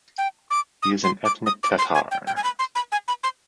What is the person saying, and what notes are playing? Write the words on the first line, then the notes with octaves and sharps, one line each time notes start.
He is an ethnic Tatar.
G5
D6
D#6
C6
D6
D#6
D6
C6
G#5
G5
G5
G#5
B5
C6
B5
G#5
B5
C6